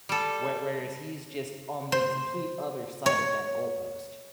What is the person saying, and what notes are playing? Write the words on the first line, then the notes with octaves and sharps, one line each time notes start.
where whereas he's, just, on the complete other side of that goalpost
G3 A4
C5
C#5